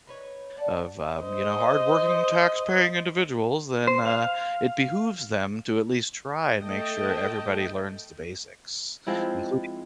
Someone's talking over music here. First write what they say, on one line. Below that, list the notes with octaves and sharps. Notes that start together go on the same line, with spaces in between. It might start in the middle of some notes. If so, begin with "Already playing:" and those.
of, um, you know, hardworking taxpaying individuals, then, uh, it behooves them to at least try and make sure everybody learns the basics, including
D#4 B4 C#5
D5 F#5 A5
C5 D#5
C5
F5
A3 D#5 G5 A5
F3 G#3 C4 E4